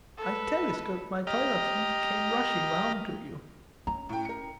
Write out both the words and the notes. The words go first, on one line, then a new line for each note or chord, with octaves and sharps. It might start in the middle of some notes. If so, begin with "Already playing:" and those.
I telescoped my toilet and came rushing round to you.
A4 B4
G4 D#5 A#5 F6
C#4 A#5
A2 G5
A#4 C#7